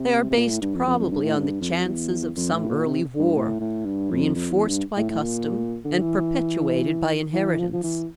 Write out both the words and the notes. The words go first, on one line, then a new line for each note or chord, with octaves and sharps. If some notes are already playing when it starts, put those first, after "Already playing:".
They are based probably on the chances of some early war, reinforced by custom and perpetuated by inheritance.
Already playing: C3
C3
A#2
A2
G2
F2
F2
F2
G2
A2
G2
F2
E2
F2
A2
A#2
C3
G2
A2
A2
G2
F2
F2
E2
G2
A2
A2
A#2
D3
E3
E3
E3
F3
F3
E3